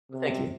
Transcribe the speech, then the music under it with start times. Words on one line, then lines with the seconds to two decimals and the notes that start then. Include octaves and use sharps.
Well, thank you.
0.11 C3